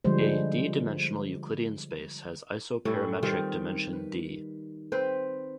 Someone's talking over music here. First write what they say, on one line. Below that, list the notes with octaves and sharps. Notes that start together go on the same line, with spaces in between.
A "d"-dimensional Euclidean space has isoperimetric dimension "d".
D3 F3 G3 G#3 C5
A2 G3 C#4 E4
D#3 G3 C4 F4
B4
C4 B4 C5